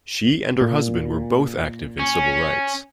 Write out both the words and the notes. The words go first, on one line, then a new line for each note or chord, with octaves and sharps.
She and her husband were both active in civil rights.
A#2
C#4